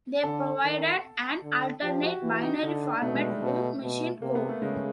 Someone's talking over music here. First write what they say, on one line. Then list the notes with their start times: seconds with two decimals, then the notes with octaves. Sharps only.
They provided an alternate binary format to machine code.
0.23 D3 A4
0.63 D#3
1.43 D3
1.82 F3 G4
2.03 F#4
2.22 E3
2.42 D#4
2.63 D3 D#4
2.82 D4
3.02 B2 A3
3.15 G#3
3.29 G3
3.41 B2 A3
3.82 B2
4.22 C3 A#3
4.35 B3
4.49 A3
4.62 C#3 G#3